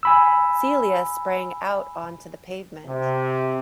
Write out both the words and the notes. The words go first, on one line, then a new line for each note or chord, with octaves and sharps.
Celia sprang out on to the pavement.
G#5 B5 E6
C3